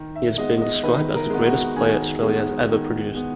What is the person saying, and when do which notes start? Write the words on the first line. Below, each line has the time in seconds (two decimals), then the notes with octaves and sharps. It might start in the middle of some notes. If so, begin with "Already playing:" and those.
He has been described as the greatest player Australia has ever produced.
Already playing: D#3
0.16 E5
0.38 G#3 B3 D#5
0.62 D#5
0.83 D#3 B4
1.15 A#4
1.30 G#3 B3
1.46 F#4
1.76 D#3 G#4
2.22 G#3 B3
2.68 D#3
3.15 G#3 B3